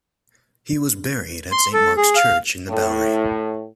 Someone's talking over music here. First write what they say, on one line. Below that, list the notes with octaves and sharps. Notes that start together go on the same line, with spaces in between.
He was buried at Saint Mark's Church in-the-Bowery.
C6
A4
G#4
F5
A2